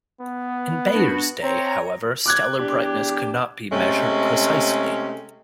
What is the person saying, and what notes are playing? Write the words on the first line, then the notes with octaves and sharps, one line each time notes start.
In Bayer's day, however, stellar brightness could not be measured precisely.
B3
D4 E4 F#4
C4 C#5 A#5
D6 F#6 G#6
E2 D4 G4
C3 G#3 A3 C#4